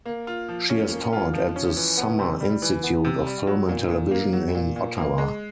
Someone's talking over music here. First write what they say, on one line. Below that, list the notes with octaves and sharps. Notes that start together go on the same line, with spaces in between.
She has taught at the Summer Institute of Film and Television in Ottawa.
A#3
F4
F3
C#4
A#3
F4
F3
C#4
E3
B3
C3
G3
E3
B3
C3
G3
F#3
A#2
A#2
A#3
F#3
A#2
A#2
A#3
G#3